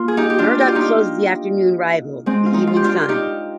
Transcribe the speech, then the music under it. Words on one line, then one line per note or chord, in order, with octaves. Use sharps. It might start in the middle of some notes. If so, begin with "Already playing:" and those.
Murdoch closed the afternoon rival "The Evening Sun".
Already playing: A#3 F4
G#4
D#4 G4
G4
D4 F4
G4
F4
D#4 G4
G#3 C4
F4
C4 D#4
F4
G4
D4 F4
D#4 G4